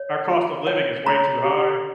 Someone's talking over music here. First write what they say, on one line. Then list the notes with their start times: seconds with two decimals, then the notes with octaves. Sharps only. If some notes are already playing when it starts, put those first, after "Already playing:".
our cost of living is way too high,
Already playing: C#5
0.29 F4
0.67 C#5 G5
1.06 C#5 A#5
1.44 G4